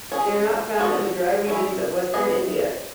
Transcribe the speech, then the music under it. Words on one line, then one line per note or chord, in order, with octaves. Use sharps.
They are not found in the dry regions of western India.
C#4 G#4 C#5
B3 F#4 A4
G#3 C#4 E4
B3 E4 G#4 B4 D#5